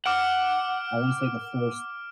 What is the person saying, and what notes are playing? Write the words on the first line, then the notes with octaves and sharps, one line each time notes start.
I wanna say the first
F#5 D6 F6 D7